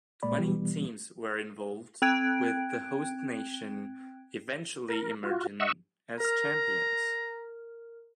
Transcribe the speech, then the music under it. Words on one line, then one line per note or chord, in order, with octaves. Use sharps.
Twenty teams were involved, with the host nation eventually emerging as champions.
C2 A#2 G#3 A#3 D5 B5
B2 E3 G3 B3
C4 G5 F#6 G#6 D7
A#4
F4 F#4
D#5 E5 F#5 C#6 E6
A#4 A#5 F6